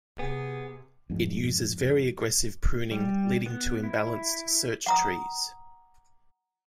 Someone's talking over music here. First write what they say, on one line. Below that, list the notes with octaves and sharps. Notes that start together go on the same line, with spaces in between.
It uses very aggressive pruning, leading to imbalanced search trees.
C3 B3 G#4
F2 G#2
G3
B3
E4
F#5 A#5 D#6